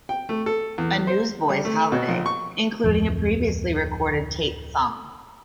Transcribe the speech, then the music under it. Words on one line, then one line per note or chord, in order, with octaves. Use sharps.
A Newsboys Holiday, including a previously recorded Tait song.
G5
A3
A4
E2
C5
G3
A3
B2
A#1
C#6
D1 F2